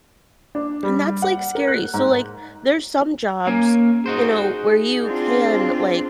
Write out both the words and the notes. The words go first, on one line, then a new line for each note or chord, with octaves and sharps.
And that's, like, scary. So, like, there's some jobs, you know, where you can, like,
D4
G3
F#5
A#4
F#6
G#2
A#3 C#4 G#5
D#4 F#4 G#4 C5
C4 D4 F4